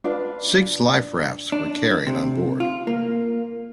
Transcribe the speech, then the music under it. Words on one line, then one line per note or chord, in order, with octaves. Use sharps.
Six life rafts were carried on board.
D4 F4 B4 F5
D4
C3
F4
A#3